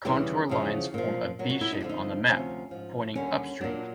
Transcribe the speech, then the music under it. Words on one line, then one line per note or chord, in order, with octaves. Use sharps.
Contour lines form a V-shape on the map, pointing upstream.
E2 C#3 E3 G3 G4
E2 C#3 F3
A#2 F3
A#2 F#3
F#4
E4
D#4
F2 D3 F3 D4
D#4
D2 C3 F3 C#4
G#2 F3
D#2 D3 G3 C#4
A#2 F#3 D4